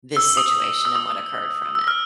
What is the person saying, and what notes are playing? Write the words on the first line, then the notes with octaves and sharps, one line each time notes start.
this situation and what occurred from it.
E6
D#6
E6
D#6
E6
F6